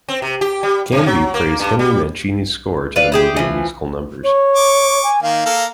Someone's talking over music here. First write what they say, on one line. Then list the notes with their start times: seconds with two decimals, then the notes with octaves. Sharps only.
Canby praised Henry Mancini's score to the movie and musical numbers.
0.09 C4
0.22 C3
0.41 G4
0.63 G3
0.92 F#2
1.06 F#3
1.34 A#3
1.60 G2
1.79 G3
2.96 B4 D5 F5
3.12 G4 G#4 E5
3.37 E3 F3
4.24 C#5
4.56 C#6 D6
5.04 G#5
5.23 D#3 A#3 F5
5.46 A#3 A4 A#4